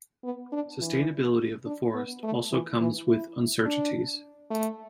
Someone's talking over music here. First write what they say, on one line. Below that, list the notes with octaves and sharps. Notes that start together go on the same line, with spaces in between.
Sustainability of the forest also comes with uncertainties.
B3
D4
E3
D4
B3
A3
E3
E3
E4
D4
A3